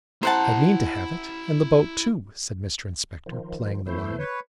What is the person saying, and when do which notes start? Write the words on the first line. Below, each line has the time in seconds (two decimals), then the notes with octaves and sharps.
'I mean to have it, and the boat too,' said Mr Inspector, playing the line.
0.23 E4 C5 F#5 A5 A#5
3.26 D#3 F3
3.86 E2 E3 A3 E4 C5
4.18 B4 C#5